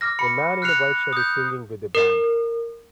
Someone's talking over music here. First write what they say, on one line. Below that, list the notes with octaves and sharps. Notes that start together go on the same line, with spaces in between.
A man in a white shirt is singing with a band.
D6 F6 A#6
B5 C#7
F6 F#6 C7 C#7 F7
D#6 G6
A#4